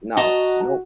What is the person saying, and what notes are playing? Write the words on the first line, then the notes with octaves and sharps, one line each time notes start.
No, nope.
F#4 D#5 A5 A#5